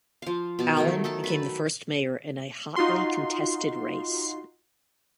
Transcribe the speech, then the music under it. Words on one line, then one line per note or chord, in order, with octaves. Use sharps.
Allen became the first mayor in a hotly contested race.
F3 F5
B2 A5
D#3 F#3 A3
D#3 A4 A5
B4 A5 B5
D#4 F4 F#4 C6